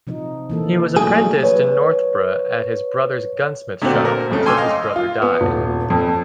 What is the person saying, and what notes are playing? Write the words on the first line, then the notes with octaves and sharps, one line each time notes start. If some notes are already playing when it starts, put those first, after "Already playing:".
He was apprenticed in Northborough at his brother's gunsmith shop until his brother died.
C3 F3 D#4
E3 A#3 A4
F#3 A3 D4 G#4
A#3
B4 C#5
A#2 D3 A3 C4 F#4
A#4
F2 C#3 A3
G5 G#5 C6 D6 E6 F6
D#5 F5
F4
B3
D#1
F2